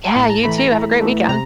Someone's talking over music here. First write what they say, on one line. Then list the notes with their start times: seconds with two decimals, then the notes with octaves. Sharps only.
Yeah, you too. Have a great weekend.
0.16 A2 A5
0.30 A#5
0.44 E3 A3 B5
0.58 A#5
0.72 A2
1.01 E3 A3
1.29 C3 A#5